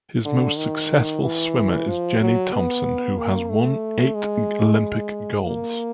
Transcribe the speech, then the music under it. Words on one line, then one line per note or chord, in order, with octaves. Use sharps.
His most successful swimmer is Jenny Thompson who has won eight Olympic Golds.
D3
D#3
E3
F3
F#3
B3
A#3
A3
G#3
A#3